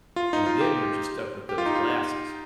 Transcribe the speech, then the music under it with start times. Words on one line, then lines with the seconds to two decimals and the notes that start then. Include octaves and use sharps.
And then you're just stuck with those glasses
0.16 F4
0.33 D#4
0.46 F4
0.61 G4
1.49 G4
1.58 F4
1.66 D#4
1.75 F4